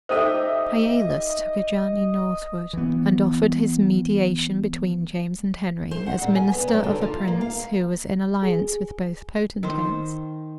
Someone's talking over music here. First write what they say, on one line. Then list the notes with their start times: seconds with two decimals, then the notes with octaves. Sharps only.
Hialas took a journey northwards, and offered his mediation between James and Henry, as minister of a prince who was in alliance with both potentates.
0.09 D#4 G4 A4 C5 D#5 E5
2.73 E3 B3
5.91 C5
6.06 F#5
6.22 A#2
6.35 G#5
6.52 B3
6.68 F#3
6.84 D3
7.01 F4
7.28 A#3
7.41 F5
8.43 G#4
9.63 D#3 C5